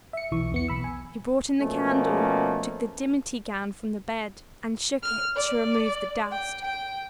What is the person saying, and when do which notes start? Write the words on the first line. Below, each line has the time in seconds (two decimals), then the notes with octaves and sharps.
She brought in the candle, took the dimity gown from the bed, and shook it to remove the dust.
0.13 E5 C#7
0.31 B1 E3 C#6
0.52 E2 B3 C#7
0.68 B1 B5 E6
0.84 G#5
1.61 B2 F3 A3 A#3 C#4
5.03 F6
5.36 D5
6.32 G5
6.64 G5